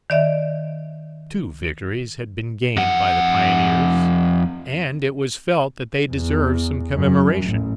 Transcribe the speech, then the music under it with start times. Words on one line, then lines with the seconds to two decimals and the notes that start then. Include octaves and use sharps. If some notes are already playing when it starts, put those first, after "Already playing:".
Two victories had been gained by the pioneers, and it was felt that they deserved some commemoration.
0.10 D#3 D5 E5
2.77 F2 F#5
6.12 E2
6.96 F#2
7.45 A1